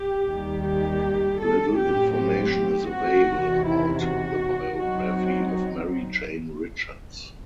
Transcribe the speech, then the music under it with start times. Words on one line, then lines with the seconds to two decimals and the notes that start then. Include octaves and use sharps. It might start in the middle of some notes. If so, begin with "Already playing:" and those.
Little information is available about the biography of Mary Jane Richards.
Already playing: G4
0.27 D#2 D#3 G3
0.65 G4
1.39 A4
1.77 A2 F#3 C4 G4
2.15 G4
2.90 F#4
3.28 E2 C3 D#3
3.65 E4
4.02 F#4
4.78 F#3 C4 D#4 F#4